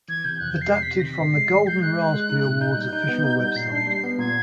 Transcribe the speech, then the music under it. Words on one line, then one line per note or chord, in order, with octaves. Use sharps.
Adapted from the Golden Raspberry Awards Official Website.
E3 G#6
C3 G6
F2 F#6
C3 G6
C7
C3 C7
C3 B6
A#6
D#3 B6
G#2 C7
G#3
D#3
G#3 G6
G#3 F#6
G#3
G#3
D#4
A#2
D#4 G6
F#6
G3
G6
D#4
B3
D#4
G3
A#2 C7
D4
G3
B3
A#2 G#6